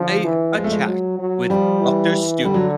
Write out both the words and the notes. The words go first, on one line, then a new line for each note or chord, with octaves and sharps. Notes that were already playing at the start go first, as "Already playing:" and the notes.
a a chat with Doctor Stupid."
Already playing: D3 F3
E3
F3 G#3
A3
G#3
F#3
F#3
F3 G3
E3
D3 G3
F#3